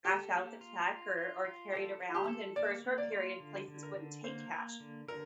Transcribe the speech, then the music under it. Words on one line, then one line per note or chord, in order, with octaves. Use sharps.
cash out the check or or carry it around, and for a short period, places wouldn't take cash
G4 A4
A#3
F4
F4
F4
F4
G4 A4
F4
G4
A4
A#3 D5
A#3
D5
F4
D3
D3
A#4
D3
A#3 C5
A#3
D3
D3 A#4